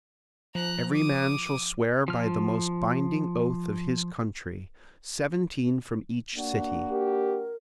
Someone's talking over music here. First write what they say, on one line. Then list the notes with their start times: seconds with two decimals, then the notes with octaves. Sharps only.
Every man shall swear by the most binding oath of his country, seventeen from each city.
0.55 F3 A#5 F#6
0.92 D6 D#6
2.08 F3 F6
6.34 A#3 D4 F#4
6.91 G4 A#4